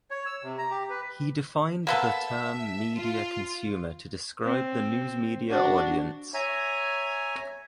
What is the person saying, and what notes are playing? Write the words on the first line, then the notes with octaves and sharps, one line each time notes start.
He defined the term media consumer to describe the news media audience.
C#5
E6
C3
A#5
G4
B4
A#3 B3 A4 E5
F4
C4
D4 F#4
C#5 E5 G#5 A#5